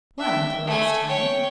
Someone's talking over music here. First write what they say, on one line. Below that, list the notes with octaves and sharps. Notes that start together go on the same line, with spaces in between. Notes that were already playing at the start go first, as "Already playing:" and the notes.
"One, the last time."
E5 G5
A3 G#5
C#5 G5